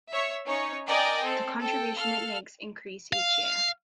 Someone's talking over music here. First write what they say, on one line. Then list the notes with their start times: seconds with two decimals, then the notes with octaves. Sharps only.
The contribution it makes increase each year.
0.10 C#5 E5
0.47 C#4 D#4 C#5
0.87 A#4 D5 D#5 G5 G#5
1.24 C4 A4
1.60 A4 G5
1.97 A4 F5 F6
3.13 F5